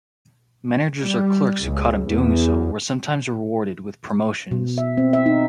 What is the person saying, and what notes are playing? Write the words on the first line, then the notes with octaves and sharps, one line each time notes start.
Managers or clerks who caught him doing so were sometimes rewarded with promotions.
G3
C#2
E2
B2
E5
C4
E5
D#4